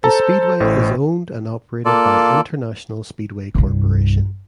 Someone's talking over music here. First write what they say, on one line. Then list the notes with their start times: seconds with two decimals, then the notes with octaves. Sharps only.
The speedway is owned and operated by International Speedway Corporation.
0.04 A4 C5 A5 A#5
0.60 A1 A2
1.85 A#3 F4 A4 D5
3.55 C2 G2